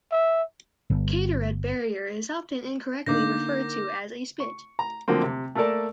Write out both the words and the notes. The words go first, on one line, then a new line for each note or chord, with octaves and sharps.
Kaitorete Barrier is often incorrectly referred to as a spit.
E5
G1
D3 A#3 D#4 D6 G6 A#6
C#6
A#5
D3 F3 F#3 A#3 C4
C3
A3 A#3 A4 A#4 D5 A5